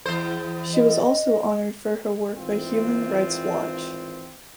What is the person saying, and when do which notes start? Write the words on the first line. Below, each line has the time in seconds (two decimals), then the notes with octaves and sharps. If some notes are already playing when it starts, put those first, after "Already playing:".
She was also honoured for her work by Human Rights Watch.
0.06 E2 C5
0.74 D#5
2.36 G#1 E3 C4 F4